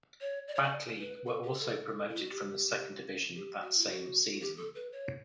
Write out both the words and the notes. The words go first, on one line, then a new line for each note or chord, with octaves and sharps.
Batley were also promoted from the Second Division that same season.
C#5
D5
C#5
D5
B4
A4
G4
A4
E4
F#4
G4
G4
F#4
E4
F#4
F#4
G4
A4
B4
C#5